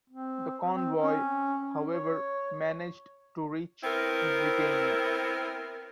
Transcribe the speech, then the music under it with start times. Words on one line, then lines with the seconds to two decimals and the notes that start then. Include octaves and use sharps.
The convoy, however, managed to reach Britain.
0.10 C4
0.73 C4
0.97 C#4
1.92 C#5
3.83 B3 C4 E4 A#4